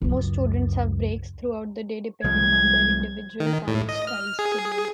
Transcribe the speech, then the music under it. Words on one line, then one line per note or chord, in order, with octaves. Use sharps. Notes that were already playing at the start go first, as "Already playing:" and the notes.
Most students have breaks throughout the day depending on their individual, college-style schedule.
C#2 F#2
C2 F3 G#3 G#6
D#3
A2
D#5
F6
G#4